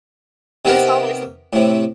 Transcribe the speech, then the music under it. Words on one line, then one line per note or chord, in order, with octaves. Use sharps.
But it's always
C3 D#3 B3 G4 A#4
A2 C3